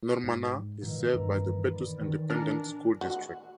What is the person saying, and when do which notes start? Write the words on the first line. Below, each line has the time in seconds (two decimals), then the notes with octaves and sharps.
Normanna is served by the Pettus Independent School District.
0.24 G#2
0.81 A#2 D#3 E3
1.15 G2 A#5
1.71 D5 B5
2.01 D#3
2.30 D4 A#4 G#5
3.01 F#4